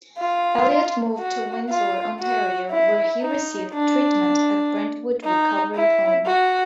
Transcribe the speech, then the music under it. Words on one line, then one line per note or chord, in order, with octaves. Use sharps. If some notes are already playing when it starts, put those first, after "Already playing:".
Elliot moved to Windsor, Ontario, where he received treatment at Brentwood Recovery Home.
F4
F#4
F4
F#4
E4
D#4
D4
D#4
E4
F#4